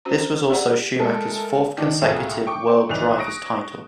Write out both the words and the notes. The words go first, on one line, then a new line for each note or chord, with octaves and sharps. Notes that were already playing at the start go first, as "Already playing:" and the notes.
This was also Schumacher's fourth consecutive World Driver's title.
C#4 F#4 C5 A#5
G4 G#4 D5 F#5
G#3 A3 A4 A#4
D#3 D4 D#4
C2 A2 F4 G#4
G5 C#6 D6
B1 E3 D5 F#6 F7
C#6 D#6 A#6 D7